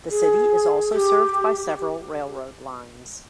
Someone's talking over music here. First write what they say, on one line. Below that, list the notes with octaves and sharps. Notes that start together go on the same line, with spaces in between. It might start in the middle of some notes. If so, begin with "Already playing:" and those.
The city is also served by several railroad lines.
G#4
G4